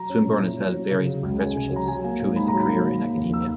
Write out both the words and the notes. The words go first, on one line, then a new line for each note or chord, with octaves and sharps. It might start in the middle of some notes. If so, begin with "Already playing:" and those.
Swinburne has held various professorships through his career in academia.
Already playing: F#3 A#5
C#4
A#2
E4
F#3
C#4
C#3
F#3
C#2
C#4 G#5
C#3
F#3
A#5
F#3 G#5
A#3
G#2
D#4 B5
A#5
F#3
B5
A#3
D#3
A#3
D#2
D#4 E6